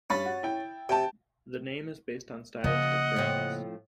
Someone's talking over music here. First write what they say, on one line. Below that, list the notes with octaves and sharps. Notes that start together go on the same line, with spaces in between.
The name is based on stylistic grounds.
G2 C#4 B5 A6
F#4
E4 G5
C3 G5 A5
C#3 F3 A#3 D#5 F#5
A2 F3 C4